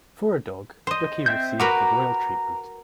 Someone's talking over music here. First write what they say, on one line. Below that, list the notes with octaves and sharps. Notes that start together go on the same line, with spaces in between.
For a dog, Dookie received the royal treatment.
C5 D#5
C4 E5 G6
F#4 A#4 B4 A#5 D6